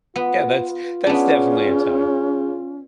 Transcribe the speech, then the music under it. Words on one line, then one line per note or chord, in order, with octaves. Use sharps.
Yeah, that's that's definitely a time.
B3 F4
C#3 B3 C#4 D4